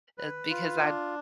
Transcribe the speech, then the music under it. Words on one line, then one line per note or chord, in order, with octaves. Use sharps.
uh, because I
B4
F4
D4